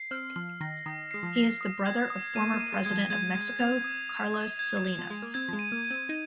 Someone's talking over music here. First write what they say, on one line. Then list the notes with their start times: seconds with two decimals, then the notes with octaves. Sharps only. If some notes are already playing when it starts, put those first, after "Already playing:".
He is the brother of former President of Mexico Carlos Salinas.
Already playing: C7
0.11 C4 F6
0.36 F3 F6
0.61 D#3 A#6
0.86 D#3 D#6
1.11 G#3 C7
1.23 F3
1.36 C7
1.61 D#6
1.86 G#6
2.10 D#6
2.35 A#3 D#7
2.54 A#3
2.61 D#7
2.73 G#3
2.85 G#3 G#6
2.92 F3
3.10 G#3 G#6
3.35 G#3 G#6
3.60 C4 F7
3.84 D#6
4.09 D#6
4.34 D#6
4.59 G#6
4.85 G#6
4.99 F3
5.10 G#3 G#6
5.22 A#3
5.34 C4 G#6
5.48 F3
5.53 G#3
5.59 D#7
5.72 A#3
5.85 D#7
5.91 C4
6.09 D#4 D#7